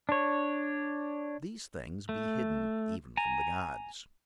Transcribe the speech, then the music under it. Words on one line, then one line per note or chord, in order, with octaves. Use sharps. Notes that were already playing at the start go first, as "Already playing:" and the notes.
These things be hidden even from the gods.
D4 C#5
A3
G#5 A#5